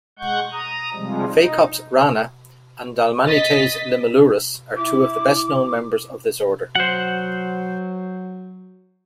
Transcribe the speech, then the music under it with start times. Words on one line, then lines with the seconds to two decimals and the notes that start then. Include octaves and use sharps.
"Phacops rana" and "Dalmanites limulurus" are two of the best-known members of this order.
0.19 G#3 F#5 C#6 G6
0.52 A#5 D#6
0.94 C3 F3 G3 G#3
1.25 D#4
3.26 D#5 A6 B6
4.77 E4 D6
6.75 F#3 C5 F#5